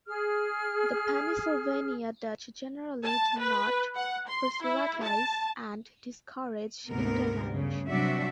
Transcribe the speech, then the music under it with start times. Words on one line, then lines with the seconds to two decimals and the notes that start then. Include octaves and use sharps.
The Pennsylvania Dutch generally do not proselytize and discourage intermarriage.
0.07 G#4 F6
3.04 A5
3.39 B4
3.96 F#5
4.28 C6
4.63 E4
5.03 A5
6.89 D2 G#2 C3 B3 A#4
7.52 G2 C#3
7.89 C3 F#3 G3 D4 F#4 E5